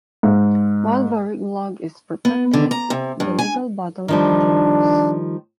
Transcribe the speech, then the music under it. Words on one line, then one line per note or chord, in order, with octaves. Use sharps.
While VarigLog is protected, the legal battle continues.
G#2
B3
D3
A#5
C3
G2
G#5
D#3 F3 G3 D4